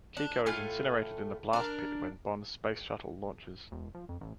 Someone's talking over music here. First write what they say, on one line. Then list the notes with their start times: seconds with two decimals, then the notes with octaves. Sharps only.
Kiko is incinerated in the blast pit when Bond's space shuttle launches.
0.17 D4
0.46 A2 A3 F4 G#5
1.53 D4 A#4
3.71 E1
3.94 F3
4.09 F2
4.21 A1